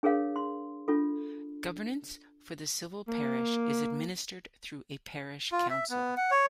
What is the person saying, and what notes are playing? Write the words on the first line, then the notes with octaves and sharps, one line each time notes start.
Governance for the civil parish is administered through a parish council.
D4 G#4 A#4 C#5 F5
C6
D4 F4 A4
A#3
F4
E5
B3
F#5
C#5